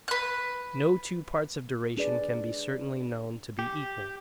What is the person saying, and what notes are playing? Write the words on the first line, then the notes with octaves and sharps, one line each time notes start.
No two Parts of Duration can be certainly known to be equal.
B4 F#6
D4 G#4 B4 D5
G4